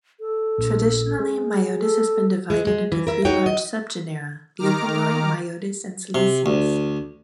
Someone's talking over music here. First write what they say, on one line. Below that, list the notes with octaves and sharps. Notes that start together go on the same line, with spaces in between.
Traditionally, "Myotis" has been divided into three large subgenera-"Leuconoe", "Myotis", and "Selysius".
A4
A#1
G#3
A4
G#3
G#3
E3
A#4 E5
D#4 F#4 C#5 G5
D#5
D#3 A#5 D6 F6
C3
D2